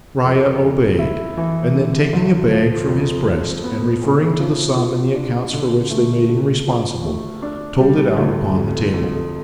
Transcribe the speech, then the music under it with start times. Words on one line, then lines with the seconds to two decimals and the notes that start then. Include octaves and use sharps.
Riah obeyed, and then taking a bag from his breast, and referring to the sum in the accounts for which they made him responsible, told it out upon the table.
0.24 F2
0.61 F2
0.99 E4
1.37 E3
1.75 D3
2.13 D2
2.51 F3
2.89 F2
3.26 F3
3.64 B3
4.02 A2
4.40 F3
4.77 F4
5.14 D4
5.53 D3
5.90 A3
6.29 D3
6.67 F3
7.04 A3
7.42 D4
7.80 G3
8.17 D2
8.56 F2
8.94 F2